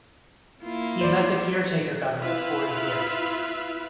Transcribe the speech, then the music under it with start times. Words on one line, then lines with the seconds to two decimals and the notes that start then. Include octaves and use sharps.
He led the caretaker government for a year.
0.63 A#3 E4 F4
1.01 C5 D5
2.19 E4 F4 B4 E5 F5